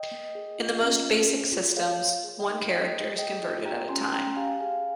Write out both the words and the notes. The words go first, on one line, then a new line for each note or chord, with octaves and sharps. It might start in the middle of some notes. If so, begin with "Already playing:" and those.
In the most basic systems, one character is converted at a time.
Already playing: D#5 G5
A#3
G#4
F4
C#4
C#4
G#4
F4
A#3 C#5 F5
A#3
G#4
D#5 G5
D#4
A#3 D#5 G5
A#3
G#4 D#5 G5
F4
G4 G5 A#5
C#4 G#5 C6
C6
C#4 G5 A#5
G4 F5 G#5
G#4 F5 G#5